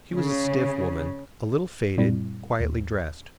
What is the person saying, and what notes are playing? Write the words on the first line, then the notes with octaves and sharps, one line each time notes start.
She was a stiff woman, a little faded, quietly dressed.
C#3
F#2 A#2 G3 C4 E4
D#2